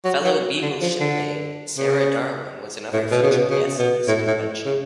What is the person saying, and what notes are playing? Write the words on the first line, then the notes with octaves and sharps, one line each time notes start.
Fellow "Beagle" shipmate Sarah Darwin was another featured guest at this convention.
F#3
F#3
D3
F3
D3
C#3
A2
B2
C#3
B2
C#3
B2
A2
A2
C#3